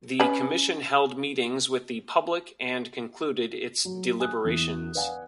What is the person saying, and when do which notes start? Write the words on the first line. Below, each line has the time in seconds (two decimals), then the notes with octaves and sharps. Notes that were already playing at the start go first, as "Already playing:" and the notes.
The Commission held meetings with the public and concluded its deliberations.
0.20 C#4 B4 B5
3.85 F#3
4.20 G#5 D#6 F#6
4.44 E2 E3
4.95 B4 D5 F5 F#5 G#5